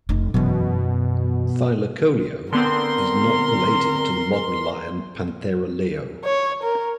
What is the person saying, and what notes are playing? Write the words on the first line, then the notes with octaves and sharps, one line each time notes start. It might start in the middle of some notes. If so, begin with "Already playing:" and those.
"Thylacoleo" is not related to the modern lion "Panthera leo".
F1 D#4
F#2 B2 E3
D3 B3 C4 A#4 C6
C#5
A#4